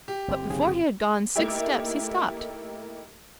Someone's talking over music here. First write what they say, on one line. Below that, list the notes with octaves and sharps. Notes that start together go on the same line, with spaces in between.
But before he had gone six steps he stopped.
G4
G1 C4
B1 C#3 G#4
A3 A#3 D#4 E4 G4